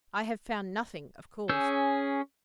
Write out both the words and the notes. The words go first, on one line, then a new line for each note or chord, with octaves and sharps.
I have found nothing, of course.
C#4 G#4 E6 G6